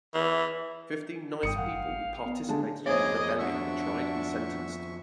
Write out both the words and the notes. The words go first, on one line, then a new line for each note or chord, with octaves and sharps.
Fifteen Nice people who participated in the rebellion were tried and sentenced.
E3
G1 G2 G5 D#6 C#7
A1 F5 F#5
B3
D3 G#3 A5
F2 B3 G#4 C5 C#5 D#5 D6
D4 F#4 E5 C#6 E6